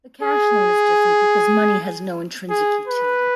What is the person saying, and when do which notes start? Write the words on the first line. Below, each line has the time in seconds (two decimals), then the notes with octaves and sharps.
The cash loan is different because "money has no intrinsic utility".
0.23 G#4
2.50 G#4
2.88 B4